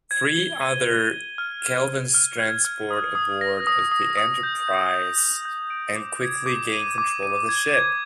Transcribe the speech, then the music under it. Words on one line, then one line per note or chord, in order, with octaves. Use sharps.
Three other Kelvans transport aboard the "Enterprise", and quickly gain control of the ship.
G#6
G7
D#7
G#6
G7
F6
D#7
F6
F6
G#6
F6
D#6
D#6
A#6
D#6
D#6
D#6
G6
G6
F7
G6
G6
D7
D6
G#6
D6
D#7
D6
D#7
G#6
G#6